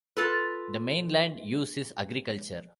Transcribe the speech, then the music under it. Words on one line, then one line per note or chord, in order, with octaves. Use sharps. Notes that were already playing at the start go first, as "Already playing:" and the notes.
The main land use is agriculture.
F4 A4 B4